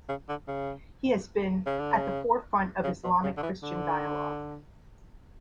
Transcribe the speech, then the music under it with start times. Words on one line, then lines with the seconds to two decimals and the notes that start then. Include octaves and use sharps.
He has been "at the forefront of Islamic-Christian dialogue".
0.09 C#3
0.29 D3
0.48 C#3
1.66 C#3
1.79 D3
1.93 C#3
2.84 C#3
3.04 B2
3.23 C#3
3.37 D3
3.43 E3
3.63 D3